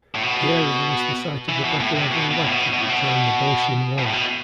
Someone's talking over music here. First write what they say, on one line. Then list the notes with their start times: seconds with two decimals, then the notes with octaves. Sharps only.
The area was the site of the Battle of Iwaki during the Boshin War.
0.15 A2
0.23 B2
1.49 E3
1.64 B2
1.80 A2
1.95 C3
2.11 B2
2.31 B2
2.44 A2
2.52 B2
2.73 B2
2.81 A2
2.89 B2
3.98 B2
4.06 A2
4.13 B2